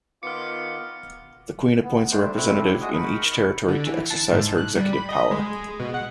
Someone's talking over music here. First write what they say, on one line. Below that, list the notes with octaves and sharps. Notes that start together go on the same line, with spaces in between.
The Queen appoints a representative in each territory to exercise her executive power.
D#3 B3 F4 D6 F6 C#7
B3
G3 A3 D4 C5
A3 C4 D4 E4
G#3 F#4 G#4 D#6
D#4 A#4 B5 C#6
D3
E3
A5
G#2
F#6
G3
B5
D#5
G#3
B2
F#5